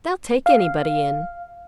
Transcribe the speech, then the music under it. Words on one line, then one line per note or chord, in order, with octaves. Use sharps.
They'll take anybody in.
F5